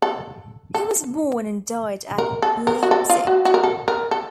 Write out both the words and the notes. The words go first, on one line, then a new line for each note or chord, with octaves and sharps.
He was born and died at Leipzig.
A4
A4
A#4
A4
A#4
F#4
A4
F4
F#4
F#4
A#4
A4
A#4
A4